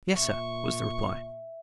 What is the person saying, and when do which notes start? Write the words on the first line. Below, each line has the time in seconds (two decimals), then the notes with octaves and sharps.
"Yes, sir," was the reply.
0.16 A#2 E5 C#6